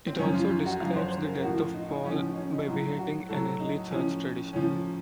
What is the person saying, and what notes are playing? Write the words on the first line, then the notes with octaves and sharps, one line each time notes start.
It also describes the death of Paul by beheading, an early church tradition.
C4
F#2 F3 C#4
F4
F4
F#4
F#2 F3 F5
C5
C5
A#4
A2 F3 F#4
F4
D#4
D#4
A2 F3 C#4
D#4
C#4
D#4
A2 F#3 F4
F#4
A2 F#3 A4
D#4
A2 F3 C#4
A2 F3 C#4